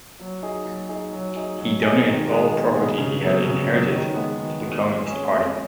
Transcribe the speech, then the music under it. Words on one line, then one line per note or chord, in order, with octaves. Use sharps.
He donated all property he had inherited to the Communist Party.
F#3
D#4 G#4
F#3
D#4 G#4
F#3
D#4 G#4
F#3
D#4 G#4
D#3
G#3 B3 G#4
D#3
G#3 B3 G#4
C#3
F#3 B3
C#3
F#3 B3
D#3
G#3 B3
D#3
G#3 B3
G#3
C#4 G#4
G#3